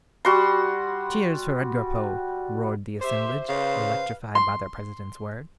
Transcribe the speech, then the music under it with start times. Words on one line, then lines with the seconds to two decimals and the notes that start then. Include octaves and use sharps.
"Cheers for Edgar Poe!" roared the assemblage, electrified by their president's words.
0.25 G3 F#4 C6
3.01 G4 C5 E5
3.49 C#3 B4 F5
4.35 C6